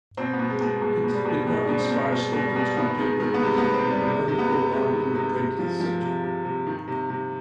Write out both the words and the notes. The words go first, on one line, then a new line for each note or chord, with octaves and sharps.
It did not inspire Staunton's contemporaries, and only caught on in the twentieth century.
B2 C4
B3
B2
G#3
B2
G#3
B2 G#3
B2
G3
B2
B2 G#3
D4
B2
C4
B2
G#3
B2 G#3
B2
G3
B2
D#3 B3
D#3 G#3
D#3 G#3
B3
C3 G#3
B3
C3
C4
C3
G3
C3 G#3
C3
B3
C3
C3 G#3
D#3
C3
C3
F3
F3
C3
C3
C3
D#3
C3
C3